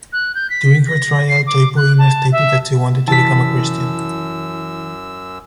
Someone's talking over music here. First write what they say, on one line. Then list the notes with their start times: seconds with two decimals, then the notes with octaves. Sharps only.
During her trial, Toypurina stated that she wanted to become a Christian.
0.13 F#6
0.35 G6
0.50 B6
0.87 A#6
1.28 C7
1.47 D6
1.76 F#6
1.98 A5
2.32 E5
3.08 F#2 E3 A5 E6 B6